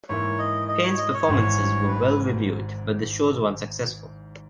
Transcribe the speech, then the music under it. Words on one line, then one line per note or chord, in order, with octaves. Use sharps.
Payn's performances were well reviewed, but the shows were unsuccessful.
G#2 E3 A#3 E4 C#5
D#5
D#5
C#5
D#5
C#5
G#1 G#2 E3
B4